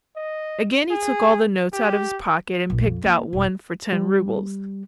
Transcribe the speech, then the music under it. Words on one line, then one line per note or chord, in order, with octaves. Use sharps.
Again he took all the notes out of his pocket and picked out one for ten roubles.
D#5
G#4
G4
A#1
F2
A#3
E1
G3